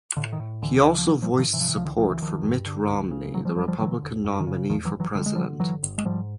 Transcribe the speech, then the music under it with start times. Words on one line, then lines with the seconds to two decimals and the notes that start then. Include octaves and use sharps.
He also voiced support for Mitt Romney, the Republican nominee for president.
0.17 A2 D3
0.32 D#3
0.39 A2
0.62 D2 D3 E3
0.85 C#3 E3
0.98 F3
1.07 A1 E3 F#3
1.22 F3 G3
1.31 G#2
1.38 D#3 F3
1.53 C3 E3
1.61 F3
1.69 E3
1.76 C#2 F3
1.85 D3 E3
1.98 C#3 F3
2.10 E3
2.21 D2 D#3 F3
2.43 G2
2.66 D3
2.89 C#2
3.11 C#3
3.34 F1 E3 F#3
3.45 F3 G3
3.56 F1 F3 G3
3.68 F3 G3
3.79 D3 E3 F#3
4.02 E1
4.24 F#2
4.40 D#3
4.47 C#3
4.69 E2 D#3 F3
4.85 E3 F#3
4.93 F#1
5.00 E3 F#3
5.15 D3 G3
5.26 G#3
5.35 D3 F3 G3
5.60 G1 E3 F#3
5.83 G1
5.98 G#3
6.05 G#2 F3 G3